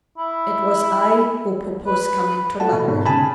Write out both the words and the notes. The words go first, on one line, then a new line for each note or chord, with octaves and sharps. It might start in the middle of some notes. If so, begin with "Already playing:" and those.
It was I who proposed coming to London.
E4
B4
A3 F#4 F#5 A5
B2
G#1
C#3 G#5 A5 B5